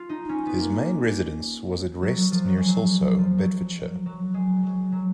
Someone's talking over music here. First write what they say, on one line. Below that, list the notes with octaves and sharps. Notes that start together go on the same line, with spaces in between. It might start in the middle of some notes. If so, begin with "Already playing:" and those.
His main residence was at Wrest near Silsoe, Bedfordshire.
Already playing: F4
D#4
C#4
B3
A#3
F#3
F#3
F3
F#3
G#3
F#3
F3
F#3
F#3
G#3
F#3
F#3